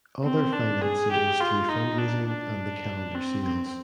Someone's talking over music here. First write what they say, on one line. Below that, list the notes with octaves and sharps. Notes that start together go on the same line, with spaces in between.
Other financing is through fund raising and the calendar sales.
C4
D4
G#4
G4
F4
D#4
D4
D4
C4
C4